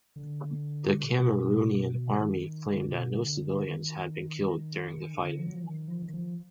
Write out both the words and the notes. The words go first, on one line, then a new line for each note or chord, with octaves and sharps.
The Cameroonian Army claimed that no civilians had been killed during the fighting.
D3
A#2
B2
D#3
D3
B2
D3
D#3
D3
F3
F#3
F3
D#3
F3
D#3
F3